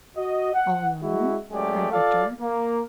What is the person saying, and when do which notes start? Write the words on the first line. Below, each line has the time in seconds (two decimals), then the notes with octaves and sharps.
"All alone?" cried Victor.
0.16 F#4 D#5
0.53 F#5
1.02 G#3 E4 F#4
1.51 F#2 G#3 A3 G4 D5
1.92 F4 A4 D5 F5
2.40 A#3